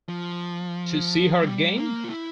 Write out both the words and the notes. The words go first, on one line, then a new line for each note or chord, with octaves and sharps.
To see her again?
F3
G3
A#3
F4
E4